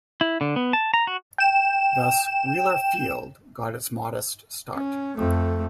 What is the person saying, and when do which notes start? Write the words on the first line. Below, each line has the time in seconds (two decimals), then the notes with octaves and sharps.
Thus Wheeler Field got its modest start.
0.21 E4
0.41 D3
0.56 B3
0.73 A5
0.94 A#5
1.07 F#4
1.38 G5 E7
4.73 C#4
5.17 F2 A3